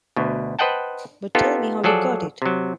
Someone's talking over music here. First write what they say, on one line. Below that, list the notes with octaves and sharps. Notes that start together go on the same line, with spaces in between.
But tell me how you got it.
D2 B2
B4 C5 D#5 F#5 G5 A5
B3 D#4 F4 G4 A4
F3 F#3 G#4 A4 D5
C3 F#3